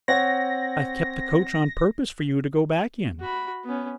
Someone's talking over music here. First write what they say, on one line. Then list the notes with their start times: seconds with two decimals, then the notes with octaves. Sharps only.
I've kept the coach on purpose for you to go back in.'
0.08 C4 C#5 F#5 A#6
3.20 F#4 B5
3.65 B3 C#4